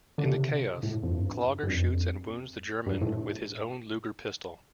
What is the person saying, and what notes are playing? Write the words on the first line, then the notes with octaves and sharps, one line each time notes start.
In the chaos, Clogger shoots and wounds the German with his own Luger pistol.
D3
C3
A2
F2
G2
G2
F2
G2
A2